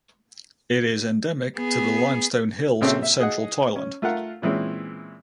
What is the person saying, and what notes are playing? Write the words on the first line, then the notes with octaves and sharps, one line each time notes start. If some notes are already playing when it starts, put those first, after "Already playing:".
It is endemic to the limestone hills of central Thailand.
B3 G#4
A#1 C#3 C4 C#4 A4 E5
E5
G#4 D#5 F#5
C#4
A3 F4 A#4 F5 F#5
A#2 E3 G#3 C4 C#4